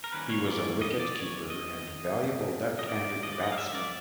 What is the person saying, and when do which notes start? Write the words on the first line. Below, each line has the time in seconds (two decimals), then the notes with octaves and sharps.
He was a wicket-keeper and valuable left-handed batsman.
0.04 A#4
0.12 D#3 G3 A#3 C#4 B4
0.30 C#5
0.48 D5
0.81 D#5
1.00 D5
1.16 C#5
1.50 D#5
2.79 D#5
2.89 G3 C4 D5
3.23 D#5
3.32 D5
3.43 D#5
3.52 F5
3.58 E5
3.75 D5